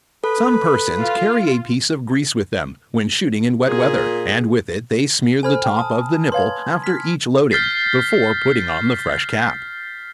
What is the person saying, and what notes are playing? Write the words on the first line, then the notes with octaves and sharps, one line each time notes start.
Some persons carry a piece of grease with them, when shooting in wet weather, and with it they smear the top of the nipple after each loading, before putting on the fresh cap.
A4 B4
F4
A#2 G#4
A4 C5 G#5 B5 F6
G5
A5 D#6
B4 C#5 F5 C6 G#6
F6 B6
F6 G6 A6 B6 C7